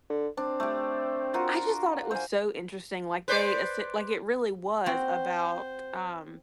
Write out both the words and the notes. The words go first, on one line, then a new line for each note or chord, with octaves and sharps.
I just thought it was so interesting, like, they esse like, it really was about, um,
D3
C4 D4
A3 G4
F4 F#4 A#4
C5 G#5
B4 C5 D5
C4 F#4 C5